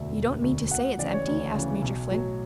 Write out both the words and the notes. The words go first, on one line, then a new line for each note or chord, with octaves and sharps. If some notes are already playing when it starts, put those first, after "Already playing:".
"You don't mean to say it's empty?" asked Major Flint.
Already playing: E1 D2 D3 E5
E1
D2 D3
D2 F#5
C#3 E3 D5
C#5
D2
C#3 E3
B1
A2 F#3